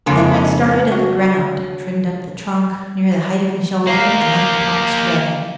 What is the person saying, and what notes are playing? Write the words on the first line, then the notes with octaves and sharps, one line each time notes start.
Then I started at the ground, trimmed up the trunk near the height of me shoulder, and left the top spreading.
F2 C#3 G#3 A#3 D4
F#4
A#3 G4 F5 A#5 C7